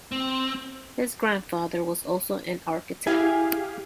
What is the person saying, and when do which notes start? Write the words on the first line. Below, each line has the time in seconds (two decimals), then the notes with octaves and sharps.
His grandfather was also an architect.
0.12 C4
3.07 E4 G4 G#4 F5 G#5